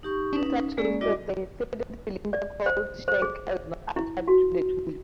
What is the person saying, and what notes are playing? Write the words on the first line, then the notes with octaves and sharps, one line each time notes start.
In such cases the threaded cylinder called shank is not attached to the tool.
D#4 G4 C#6
C#4 D#4 B4
G#3 A#3 C#4 G#4 D5
G3 E4 F#4 D5 D#5 D6
D5
C5
C5
G#4
E4
F#4